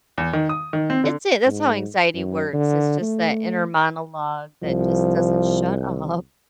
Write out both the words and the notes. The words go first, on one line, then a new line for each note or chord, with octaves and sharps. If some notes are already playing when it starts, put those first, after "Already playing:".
it's it, that's how anxiety works; it's just that inner monologue that just doesn't shut up.
E2
D#3
D#6
D#3
C4
D3
G#2
F#2
D3
A3
C2 F3